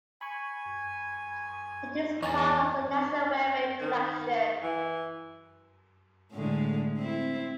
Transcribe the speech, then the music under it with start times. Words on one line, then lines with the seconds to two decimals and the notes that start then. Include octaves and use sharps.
It is part of the National Railway Collection.
0.21 G#5 B5 C#6
2.22 E2 C#5 D#5 G#5 A#5 A6
3.80 D#3
4.62 E3
6.31 A2 D3 G#3
6.98 C4 E4